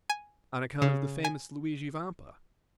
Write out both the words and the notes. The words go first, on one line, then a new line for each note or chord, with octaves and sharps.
"On account of the famous Luigi Vampa."
G#5
C#3
G#5